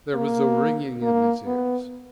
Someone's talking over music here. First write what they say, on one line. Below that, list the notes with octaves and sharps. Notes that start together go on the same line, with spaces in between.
There was a ringing in his ears.
A#3
A#3
B3